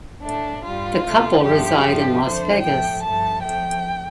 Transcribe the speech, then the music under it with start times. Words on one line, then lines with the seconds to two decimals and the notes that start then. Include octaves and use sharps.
The couple reside in Las Vegas.
0.23 A2 A3 D4
0.64 G2 G3 F4
1.03 D2 C3 A3
1.43 G2 D3 F3 A3 G4
1.84 G2 D3 F3 A3
2.23 F2 D3 A3 C5
2.63 A2 F3 A3 G5
3.03 G2 F3 A3 A5
3.43 F2 F3 A3 G5